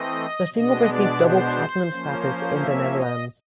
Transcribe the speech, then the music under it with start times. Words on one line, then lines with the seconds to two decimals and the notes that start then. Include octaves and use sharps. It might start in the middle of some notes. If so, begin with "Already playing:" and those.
The single received double platinum status in the Netherlands.
Already playing: E3 A3 C4 D#5
0.53 B2 G#3 B3 D4 D#5
0.87 D5
1.22 C5
1.92 F3 A#3 C#4
2.61 E5
2.95 D#5